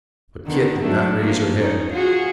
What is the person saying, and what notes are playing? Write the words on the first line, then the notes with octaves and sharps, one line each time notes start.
But Kit did not raise her head.
D3 D#3 B3
F#3 A3 D4
F3 A#3
C#4 D#4
F4 F#4 G#4